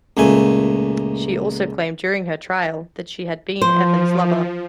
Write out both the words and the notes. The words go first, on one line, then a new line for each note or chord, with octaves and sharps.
She also claimed during her trial that she had been Evans' lover.
C#2 A#2 A3 G#5
F3 C5